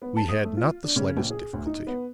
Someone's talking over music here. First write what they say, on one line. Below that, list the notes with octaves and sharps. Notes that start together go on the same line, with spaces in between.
"We had not the slightest difficulty."
B3
A5
D#6
A3
F4
D4
C#3
A#1
G#4
D2
D#4
B3